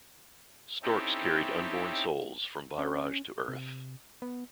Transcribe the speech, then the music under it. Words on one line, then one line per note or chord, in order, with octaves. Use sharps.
Storks carried unborn souls from Vyraj to Earth.
C4 C#4 D#4 E4 G4 A4
C#4
C3
B3